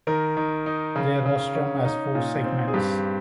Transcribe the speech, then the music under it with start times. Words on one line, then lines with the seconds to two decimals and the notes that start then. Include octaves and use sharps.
Their rostrum has four segments.
0.07 D#3 A#4
0.37 D#3
0.66 D#4
0.96 C#3
1.26 C#3
1.55 C#4
1.85 D#4
2.15 A#2
2.44 C4
2.68 G#4
2.74 G2 G4